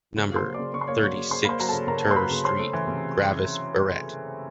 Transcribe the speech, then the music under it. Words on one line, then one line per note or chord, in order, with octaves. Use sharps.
Number thirty-six TER street, Gervais Barret.
C#3
A#3 C5 C6
F#3
C#3 D5 D6
C#3 C#6
C6
A#3 C#5 C#6
F#3 C#5 C#6
C#3
C#3 C5 C6
A#3 C5 B5 C6
F#3 A#5
C#3 A4 A5
C#3 A#4 A#5
A#3
C6
F#3 B4 B5
C#3
C#4 C5 C6
A3
E3
C3